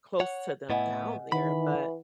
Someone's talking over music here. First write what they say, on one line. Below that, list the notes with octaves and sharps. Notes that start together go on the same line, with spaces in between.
close to them down there. But,
C#5 F#5
A2 B3 E4 D#5 F#5 G#5
D#3 E3 F#5 B5